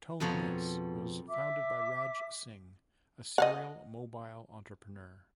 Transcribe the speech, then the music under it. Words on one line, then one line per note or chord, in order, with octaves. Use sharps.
ToneThis was founded by Raj Singh, a serial mobile entrepreneur.
F2 B2 F3 G#4 C#5 A#5
E5 D6
D#5 F5 F#5